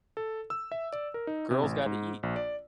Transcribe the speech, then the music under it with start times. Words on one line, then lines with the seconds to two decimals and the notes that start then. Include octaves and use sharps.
Girl's gotta eat!
0.17 A4
0.50 E6
0.72 E5
0.93 D5
1.14 A#4
1.27 D#4
1.51 C3
1.63 A1
1.86 G#2
2.23 A#1
2.36 D5